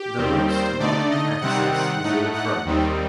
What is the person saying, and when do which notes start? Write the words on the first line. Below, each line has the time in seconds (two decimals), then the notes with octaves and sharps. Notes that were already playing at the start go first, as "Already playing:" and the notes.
The most modern access is in front.
Already playing: G4
0.18 D#2 D#3 G3 C4
0.49 C5
0.79 D3 A3 D#4 D5
1.10 D#5
1.41 C3 D#3 G3 C4 D#4 F#5
1.73 F#5
2.03 A2 A3 D#4
2.34 F#5
2.65 D#2 D#3 G3 C4 D#4